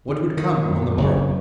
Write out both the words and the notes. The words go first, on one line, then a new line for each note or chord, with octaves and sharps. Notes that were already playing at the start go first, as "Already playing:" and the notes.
What would come on the morrow?
D#3
D#3
F#2
F#1